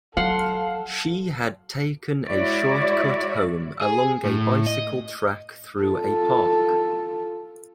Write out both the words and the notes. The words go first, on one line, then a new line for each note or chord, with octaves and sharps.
She had taken a short cut home along a bicycle track through a park.
F#3 A4 F5 F#5 C6
G#3 E4 F#4 C#5 D5
G#4
A2
D#5
F4 A4